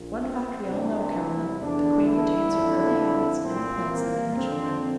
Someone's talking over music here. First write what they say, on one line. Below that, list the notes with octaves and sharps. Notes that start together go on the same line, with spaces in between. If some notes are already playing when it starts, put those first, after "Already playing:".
One fact we all know, Caroline: the Queen retains her early habits, and implants them in her children.
Already playing: A#1 A#2
C4
C2 C3 E3 D4
E4
E2 D3 D4
E4
D3
F2
C2 A#2 C4
A#3
F2 D3 C4